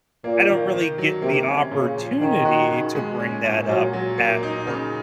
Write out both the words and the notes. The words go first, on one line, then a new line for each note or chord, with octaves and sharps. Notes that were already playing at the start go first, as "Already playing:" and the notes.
I don't really get the opportunity to bring that up at work.
A#2 A#3
D#3
D#3
F#3
C3 A#3
C#4
A#2 C#3
F3
D#3 C#4
F#4
C#3
G#3
C#4
A#2
A#2 F#3
F#3
A#3
D#4
C#3